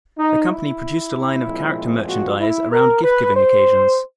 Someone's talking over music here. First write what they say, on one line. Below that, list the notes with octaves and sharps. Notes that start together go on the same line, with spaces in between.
The company produced a line of character merchandise around gift-giving occasions.
D#4
E4
A#2 F3 G#3 C4
F#4
E4
A#4
B4
C5